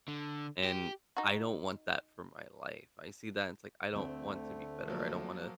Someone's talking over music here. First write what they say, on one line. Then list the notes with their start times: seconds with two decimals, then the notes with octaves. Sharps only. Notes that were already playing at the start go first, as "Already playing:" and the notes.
and I don't want that for my life, I see that and it's like, I don't want to be bitter. I don't wanna
0.08 D3
0.64 G4
1.17 D#4 F#4
3.93 D2 D3 A3 C4
4.88 F3 F#3 A#3